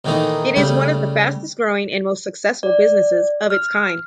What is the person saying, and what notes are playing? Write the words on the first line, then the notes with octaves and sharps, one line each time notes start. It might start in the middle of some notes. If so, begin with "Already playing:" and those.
It is one of the fastest growing and most successful businesses of its kind.
A#2 D#3 E3 A3 D#4
C#3 G3 A3 C#4
D5
F6